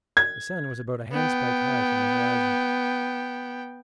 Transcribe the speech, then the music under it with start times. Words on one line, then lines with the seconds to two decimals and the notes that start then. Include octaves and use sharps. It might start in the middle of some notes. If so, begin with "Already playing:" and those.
The sun was about a handspike high from the horizon.
0.17 G#6
1.12 B3 G5